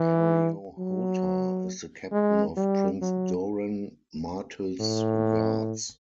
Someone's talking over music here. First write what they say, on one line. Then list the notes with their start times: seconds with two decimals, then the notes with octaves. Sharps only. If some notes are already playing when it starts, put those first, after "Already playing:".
Areo Hotah is the captain of Prince Doran Martell's guards.
Already playing: E3
0.78 F#3
2.12 G#3
2.57 G3
3.01 F#3
4.80 A2